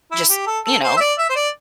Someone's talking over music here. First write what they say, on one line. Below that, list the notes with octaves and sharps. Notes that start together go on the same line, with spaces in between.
just, you know,
E4
G4
A4
A4
C5
E5
D5
E5
C5
D5